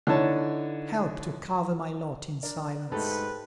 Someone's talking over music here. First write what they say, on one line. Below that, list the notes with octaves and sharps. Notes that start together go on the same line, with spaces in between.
Help to cover my lot in silence.
D3 E3 D#4 C#5 A5
D4 A#4
G#2 A3 D#4 G4 A4 B4